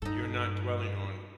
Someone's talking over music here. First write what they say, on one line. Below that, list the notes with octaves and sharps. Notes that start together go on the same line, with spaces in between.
you're not dwelling on
G2 D#4 A4